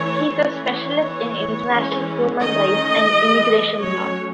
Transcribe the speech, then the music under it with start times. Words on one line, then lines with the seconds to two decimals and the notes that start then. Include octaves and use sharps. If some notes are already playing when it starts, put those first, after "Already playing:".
He is a specialist in international human rights and immigration law.
Already playing: E3 A3 C#4 C#5
0.31 E3 A3 C#4 C#5
1.01 E3 B3
1.71 E3 G#3 C#4
2.40 D#3 A3 C#4 D#5
3.10 E3 G#3 B3
3.80 F#3 A3 C#4 C#5